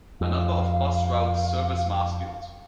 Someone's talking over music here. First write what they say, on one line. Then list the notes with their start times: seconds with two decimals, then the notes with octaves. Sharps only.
A number of bus routes service Marsfield.
0.21 F2 F5